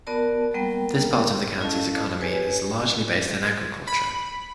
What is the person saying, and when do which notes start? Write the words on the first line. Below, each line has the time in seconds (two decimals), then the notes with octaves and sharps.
This part of the county's economy is largely based in agriculture.
0.07 B3 F#4 A#4 D5 A5
0.54 F#3 G3 A#3 B3 A#4 G5
1.60 C#4 E4 A4 D#5 F5 A5
2.20 G4 G#4 B4 C#5 G#5
3.88 B5